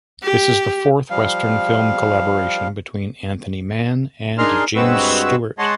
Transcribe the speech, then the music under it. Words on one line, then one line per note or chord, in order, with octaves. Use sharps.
This is the fourth Western film collaboration between Anthony Mann and James Stewart.
G4
F3 G3 F5
D4 D#4 G#4 A#4 C6 F6
G2 G#3 C4 F#4 B4 E6
G#3 C#5 D#5 F#5 A5 C6